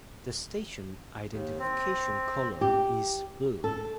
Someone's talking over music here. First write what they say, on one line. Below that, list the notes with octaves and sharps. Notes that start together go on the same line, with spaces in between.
The station identification colour is blue.
D#2
C4
G4
A4